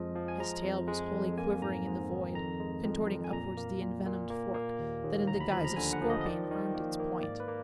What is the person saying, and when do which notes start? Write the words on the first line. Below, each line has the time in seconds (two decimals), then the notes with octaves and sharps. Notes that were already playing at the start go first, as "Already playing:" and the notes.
His tail was wholly quivering in the void, Contorting upwards the envenomed fork, That in the guise of scorpion armed its point.
Already playing: F2 F3 G#3 D#5
0.15 F3
0.28 G#5
0.39 G#3 A#5
0.64 F2
0.88 G#3
1.13 F2
1.38 A#3 G#5
1.62 G#2 A#5
1.86 G#2
2.10 D#3
2.35 F2 A#5
2.60 G#3
2.84 F2
3.08 F2
3.24 G#5
3.32 A#2 A#5
3.57 A#3
3.81 A#2
4.06 A#2
4.30 A#3
4.54 A#3
4.79 D#2
5.04 D#2
5.27 D2 A#5
5.40 B5
5.52 F3 B5
5.65 A#5
5.76 D3 G#5
5.93 F#5
6.02 F3
6.10 D#5
6.21 D#5
6.26 D#3 D5
6.51 D#3
6.75 A#3
7.00 A#3
7.23 G#2 D5
7.40 B4
7.48 A#3